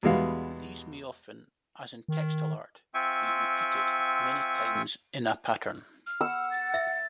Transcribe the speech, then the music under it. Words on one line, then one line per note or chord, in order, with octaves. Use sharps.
These may often, as in textile art, be repeated many times in a pattern.
E2 B2 G3 G#3 B3 F5
D#3
C4 F4 E5 G5 G#5 C#6
F6
F#5 E6
A6
E5